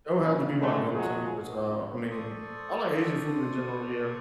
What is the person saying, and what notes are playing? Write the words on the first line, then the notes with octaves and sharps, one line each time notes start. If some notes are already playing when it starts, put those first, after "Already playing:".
It would have to be my go-to, which, uh I mean, I like Asian food in general, yeah,
A#2 C#3
G#2 D3 D#3 G#3 A3
G#1 F2 F3 F#3 G#3 G#4
C#2
A4 C5 D5 C#6 D#6